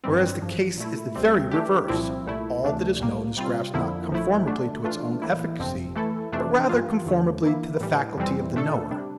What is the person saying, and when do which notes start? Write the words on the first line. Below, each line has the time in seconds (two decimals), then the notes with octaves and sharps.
Whereas the case is the very reverse: all that is known is grasped not conformably to its own efficacy, but rather conformably to the faculty of the knower.
0.04 A1 G2 E3 G3 C4
0.41 A1 G2 F3
0.78 A#2 A3 E4
1.15 D2 C3 G3 C4
1.51 E3 A3 D4 G4
1.88 C2 A#2 F3 C4 E4
2.26 C2 A#2 A3 E4
2.63 D2 C3 E3 A3 D4
2.99 C2 A#2 G3 A#3
3.37 C3 G3 C4 F4
3.74 F2 D3 F3 A#3 E4
4.11 A#1 A2 F3 A3 E4
4.47 D3 A3 D4
4.84 E3 A3 D4 F4
5.22 A#1 A2 E3 A#3 E4
5.59 G1 F2 C3 F3 C4
5.95 E3 A3 E4 A4
6.32 F2 C3 E3 A3 D4
6.69 G2 E3 A#3 F4
7.06 E2 D3 A3
7.43 E3 A#3 E4
7.80 A2 E3 G3
8.17 F2 C3 E3 G3 C4
8.54 A#2 A3 D4 A4
8.91 C3 G3 D4